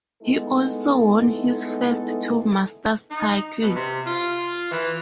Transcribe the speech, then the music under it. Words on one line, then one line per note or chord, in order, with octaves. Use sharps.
He also won his first two Masters titles.
G#3 A3 B3 D#4 E4 A4
D#4
B2
C3
F4
E3